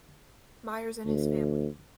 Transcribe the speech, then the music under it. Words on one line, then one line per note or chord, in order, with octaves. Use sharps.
Myers and his family.
D2